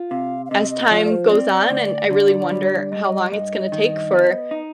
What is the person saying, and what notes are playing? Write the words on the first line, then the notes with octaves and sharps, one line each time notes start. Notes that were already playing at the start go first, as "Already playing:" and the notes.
as time goes on, and I really wonder how long it's gonna take for
Already playing: F4
C3 F5
F5
C3 D#5
D#5
F3 D5
D5
C5
C4 D5
D2
D3
G3
G2 D#5
G2 D#5
D#3
B3
D#4